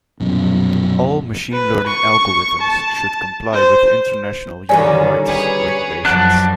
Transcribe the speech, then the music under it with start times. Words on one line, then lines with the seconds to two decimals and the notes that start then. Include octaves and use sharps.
All machine learning algorithms should comply with international human rights regulations.
0.20 A#1 F#2 B2
1.52 B4
1.87 C#6
2.61 A5
3.53 C5
4.69 A#2 D3 D#3 G3 C#4 D5 G#5
5.26 G#4 B4 C#5
6.05 F#2 F3 D4 F#4 A5 F#6